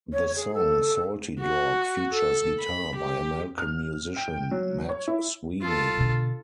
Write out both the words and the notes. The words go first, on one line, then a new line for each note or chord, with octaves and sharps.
The song "Salty Dog" features guitar by American musician Matt Sweeney.
C#5
G#4
A4
F#4
A4
B5
G4
F6
G5
F#3
C#5
E4
F4 A4
B2 D3